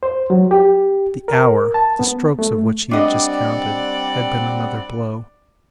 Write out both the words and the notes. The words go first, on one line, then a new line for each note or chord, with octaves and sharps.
The hour, the strokes of which he had just counted, had been another blow.
C5
F#3
G4
A#4
A5
B3
A3
G3 C4 D4 D5 D#5 F#5